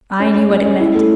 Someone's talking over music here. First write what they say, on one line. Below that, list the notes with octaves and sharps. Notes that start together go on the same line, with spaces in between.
I knew what it meant.
C#4
C#4
G#3
C#4
E4
A3